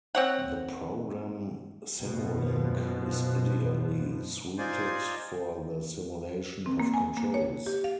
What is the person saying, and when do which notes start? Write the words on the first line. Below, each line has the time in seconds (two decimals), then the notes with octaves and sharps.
The program Simulink is ideally suited for the simulation of controls.
0.15 C4 C#5 F#5
1.98 F#2 B2 F3
4.58 D#4 F4 C5 D5 G#5 C6
6.66 C4
6.80 A#3
6.94 G#5
7.17 A#3
7.34 C#5
7.66 G4
7.84 F5